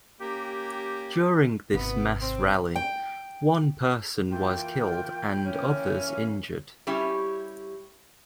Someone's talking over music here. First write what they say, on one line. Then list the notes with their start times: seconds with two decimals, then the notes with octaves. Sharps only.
During this mass rally, one person was killed and others injured.
0.20 A#3 C#4 G4
1.73 G#1 C3 B3
2.21 C4
2.76 G5
4.31 E3 A#3 F4 G5
5.45 E3 A#3 C#4
6.87 G3 C#4 E4 G4